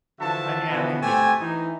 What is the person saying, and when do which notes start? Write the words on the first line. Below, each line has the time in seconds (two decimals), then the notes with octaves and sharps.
I am, indeed.
0.20 D3 E3 F3 F#4 E5 A5
0.69 B2 E3 F3 B3
1.02 A3 C4 G4 G#5
1.41 E3 D#4